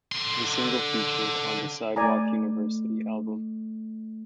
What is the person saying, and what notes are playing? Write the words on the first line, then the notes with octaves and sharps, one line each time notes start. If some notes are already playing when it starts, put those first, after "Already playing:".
The single featured on the "Sidewalk University" album.
D3 C6
A3 D5 G#5 A#5